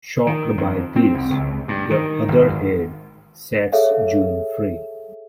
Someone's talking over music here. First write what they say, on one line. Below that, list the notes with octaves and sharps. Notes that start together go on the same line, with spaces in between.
Shocked by this, the other head sets June free.
D#3
F2
C4
C2
C#2
G2
D#3
G#1
G#4 A4 C#5 E5 F5